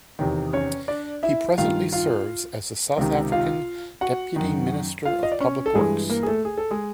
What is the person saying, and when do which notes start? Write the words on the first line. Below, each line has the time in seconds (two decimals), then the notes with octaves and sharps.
He presently serves as the South African Deputy Minister of Public Works.
0.19 E2 C3 D#3
0.53 C#4 C#5
0.88 D4 D5
1.23 E4 E5
1.58 G2 D#3 F4 F5
1.93 F4 F5
2.97 C#2 C3 D#3
3.32 F4 F5
4.01 F#4 F#5
4.36 F#2 D#3
5.05 F4 F5
5.23 D#5
5.32 D5
5.40 C#4 C#5
5.66 A4
5.75 G2 E3 G#3 G#4
6.09 A#3 A#4
6.23 G#4
6.27 A3 A4
6.45 G#4
6.58 A4
6.71 G#3 G#4